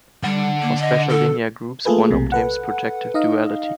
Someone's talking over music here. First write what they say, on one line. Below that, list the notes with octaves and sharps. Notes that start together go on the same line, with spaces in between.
For special linear groups, one obtains projective duality.
D3 G3 F#5
A#3
D#5
A4
A3 A#3 F4 G#4 A4 B4
B1 C3
A4 B4 F#5
D#4 D#5 F5